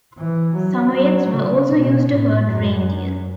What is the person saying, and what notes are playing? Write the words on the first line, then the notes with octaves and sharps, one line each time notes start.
Samoyeds were also used to herd reindeer.
E3
F#3
F#3
C#3
B2
A2
F#2